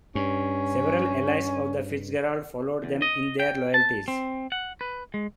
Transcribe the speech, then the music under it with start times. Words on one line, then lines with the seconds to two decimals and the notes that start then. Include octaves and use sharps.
Several allies of the FitzGeralds followed them in their loyalties.
0.15 G2 C#4
2.84 E2
3.02 D#5
3.40 G5
3.74 A5
4.08 C4
4.52 F#5
4.81 B4
5.14 G#3